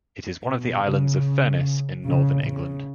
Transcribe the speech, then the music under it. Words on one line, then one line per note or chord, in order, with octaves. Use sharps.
It is one of the Islands of Furness in northern England.
B2
C#3
C#3
C#3